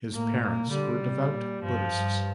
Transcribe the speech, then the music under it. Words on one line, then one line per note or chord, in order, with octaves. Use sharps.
His parents were devout Buddhists.
A2 A#3
A#2 A#3
D3 G3
C3
A#2
G2 F3
G2